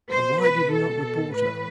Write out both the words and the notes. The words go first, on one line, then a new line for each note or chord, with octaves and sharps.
"And why did you not report her?"
B2 C5
B4
A4
A2 E3 B4